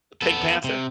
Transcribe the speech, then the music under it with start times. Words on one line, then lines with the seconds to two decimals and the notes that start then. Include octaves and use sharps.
The Pink Panther?
0.22 B3 A4
0.64 C3